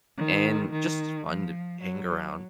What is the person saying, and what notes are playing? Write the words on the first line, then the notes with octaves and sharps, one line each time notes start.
and just fun to hang around.
D#3
D#3
F3
F#3